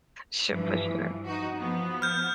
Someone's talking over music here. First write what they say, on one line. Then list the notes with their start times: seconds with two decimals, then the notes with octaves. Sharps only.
Sh for sure.
0.51 G2 E3 F3
1.26 D#4 F#4
1.56 F3 B3
2.02 F6 G6